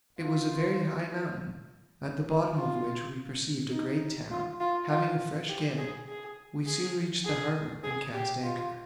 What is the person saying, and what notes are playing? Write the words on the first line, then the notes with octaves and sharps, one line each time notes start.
It was a very high mountain, at the bottom of which we perceived a great town: having a fresh gale, we soon reached the harbour, and cast anchor.
F4
F4
D#4
F4
F4
F4
G4
G#4
G#4
G#4
G#4
G#4
G4
F4